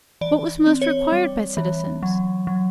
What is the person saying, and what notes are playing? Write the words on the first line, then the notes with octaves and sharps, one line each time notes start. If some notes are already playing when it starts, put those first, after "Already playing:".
What was most required by citizens?
E3 D5
C4
C#5
G3
E3
F#3
F#3